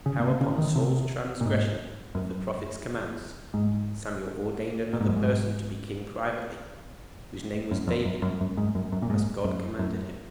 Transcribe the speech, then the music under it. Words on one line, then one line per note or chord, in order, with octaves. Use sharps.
How, Upon Saul's Transgression Of The Prophet's Commands, Samuel Ordained Another Person To Be King Privately, Whose Name Was David, As God Commanded Him.
C#3
A#2
C3
C#3
D#3
C3
A#2
G#2
F#2
G#2
A#2
G#2
F#2
G#2
F#2
F2
F#2
F#2
F#2
G#2
F#2
F#2
A#2
G#2
F#2
F#2